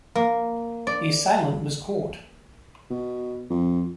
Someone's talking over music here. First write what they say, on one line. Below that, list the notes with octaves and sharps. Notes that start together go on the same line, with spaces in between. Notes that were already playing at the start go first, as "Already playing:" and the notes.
The assailant was caught.
A#3
D5
B2
F2